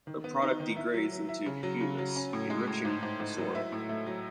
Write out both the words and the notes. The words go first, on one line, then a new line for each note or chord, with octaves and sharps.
The product degrades into humus, enriching the soil.
D#3
B3
D#4
D#3
E4
F#3
F#3
E4
C#3
F#3
C#3
F#3
C#4
A2
G#3
A2
G#2
G#2
G#2
F#3
E4
A2
A3
F#3